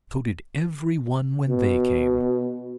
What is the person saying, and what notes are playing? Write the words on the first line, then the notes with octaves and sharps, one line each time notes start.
So did every one when they came.
B2